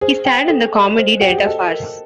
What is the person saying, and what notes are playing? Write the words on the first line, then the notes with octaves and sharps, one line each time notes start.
He starred in the comedy "Delta Farce".
G#4 C5
G5
A4
D#5
C5
F#4 G5
G4
G#4
A4 D#5
A#4